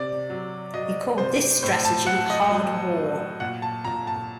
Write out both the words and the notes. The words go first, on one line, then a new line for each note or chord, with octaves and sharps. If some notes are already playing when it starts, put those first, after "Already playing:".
He called this strategy hard war.
Already playing: C3 D5
F#3
F#3 D#5
C3 C5
A2 C5
A5
F#3 F#5
D#5
F#3
F#3
A#2 F#5
A5
A#2 A#5
A5